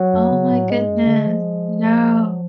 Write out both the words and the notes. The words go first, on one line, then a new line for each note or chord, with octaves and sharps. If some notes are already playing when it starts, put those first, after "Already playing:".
Oh my goodness. No.
Already playing: F#3
F#2
C#3
A2
G#2 G#3
F#2
D3
F3
F#3